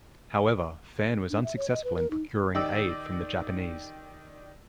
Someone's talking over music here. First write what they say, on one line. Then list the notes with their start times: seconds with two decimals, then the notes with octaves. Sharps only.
However, Phan was unsuccessful in procuring aid from the Japanese.
1.30 D4
1.44 E5
1.57 C#5
1.69 D#5
1.84 B4
1.96 A#4
2.11 D#4
2.54 D#3 G4 D5 D#5 D6 E6